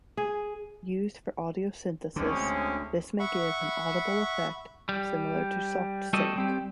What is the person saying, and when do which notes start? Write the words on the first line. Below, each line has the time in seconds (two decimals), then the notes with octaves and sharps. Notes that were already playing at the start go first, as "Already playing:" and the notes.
Used for audio synthesis, this may give an audible effect similar to Soft Sync.
0.17 G#4
2.16 D2 D3 G#3 C4 C#4
3.19 E5 F#5 B5 C#6
4.89 G3
6.13 G3 F#4 G4 A4 D5 D#5
6.36 G3 C4 G4